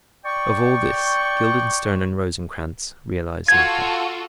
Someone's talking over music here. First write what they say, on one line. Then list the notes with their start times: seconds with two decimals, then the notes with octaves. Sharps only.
Of all this Guildenstern and Rosencrantz realise nothing.
0.25 D5 G5 C#6
3.48 F4 F#4 A4 G#6